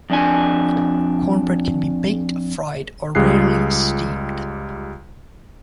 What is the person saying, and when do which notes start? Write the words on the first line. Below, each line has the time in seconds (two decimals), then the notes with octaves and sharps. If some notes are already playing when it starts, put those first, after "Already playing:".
Cornbread can be baked, fried or, rarely, steamed.
0.10 F2 D4 G#5
3.15 C#2 G3 F4 G#4 F#6 C7